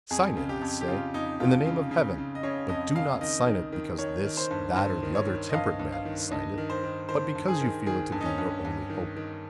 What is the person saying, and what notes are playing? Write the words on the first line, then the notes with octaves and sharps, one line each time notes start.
Sign it, I say, in the name of Heaven; but do not sign it because this, that, or the other temperate man has signed it, but because you feel it to be your only hope.
F2 G#4
C#3
G4
F2
G4
C#3 F4
F2 D#4
F2 F4
C#3
C#3
C#3
D#5
C#3 C#5
F2 D#5
C#3 F5
D#3 D#5
D#3
D#3
D#3 C#5
D#3
C5
G2
G2 C5
D#3
C#5
D#3
D#5
G2 F5
G2
F5
D#3
G2 D#5
D#3
C5
D#3
D#3 C5
G2
G#4
D#3
D#3 G#4
G2
D#4
C#4
G2
G2
D#3
D#3